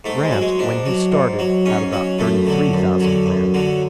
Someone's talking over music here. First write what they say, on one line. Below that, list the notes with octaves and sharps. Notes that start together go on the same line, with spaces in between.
Grant, when he started, had about thirty-three thousand men.
G#2 A3
G#3
F#3
G#3
G#2 D4
F#3
G#2
F#3
G#2 C#4
F#3
F#2 A3
D3 F#3
F#2
D3 F#3
F#2
D3 F#3